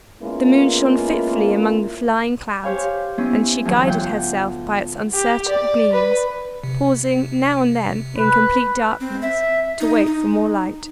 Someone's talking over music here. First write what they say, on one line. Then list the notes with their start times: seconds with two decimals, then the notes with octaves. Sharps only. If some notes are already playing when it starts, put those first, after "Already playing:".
The moon shone fitfully among the flying clouds, and she guided herself by its uncertain gleams, pausing now and then, in complete darkness, to wait for more light.
0.22 G#3 A#3 B3 C#4 E4 F4
2.63 G4 C5 C#5 F5 G#5
3.18 B3 C#4 E4 C5
3.65 D2 E3 F#3
3.86 F4 F#5 G5
5.14 G4
5.48 D5
5.92 B4
6.64 C3
8.18 B4
9.00 C4
9.22 E5
9.80 D#4
10.06 D#4